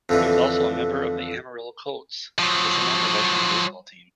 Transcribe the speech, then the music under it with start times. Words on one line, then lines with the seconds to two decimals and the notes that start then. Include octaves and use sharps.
He was also a member of the Amarillo Colts, a semi-professional baseball team.
0.09 F2 D3 E3
2.39 F3 F#3